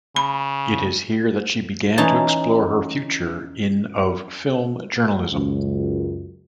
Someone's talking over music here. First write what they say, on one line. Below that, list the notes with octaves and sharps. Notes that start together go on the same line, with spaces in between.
It is here that she began to explore her future in of film journalism.
C#3 B5
E3 C#4 D#4 A5
C#2 F#2